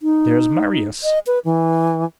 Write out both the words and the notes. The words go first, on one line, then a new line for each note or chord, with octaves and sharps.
"There's Marius."
D#4
D#5
B4
E3